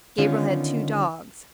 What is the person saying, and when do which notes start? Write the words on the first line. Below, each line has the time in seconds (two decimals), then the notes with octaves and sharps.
Gabriel had two dogs.
0.18 D3 D#3 B3 C#4 D#4 F4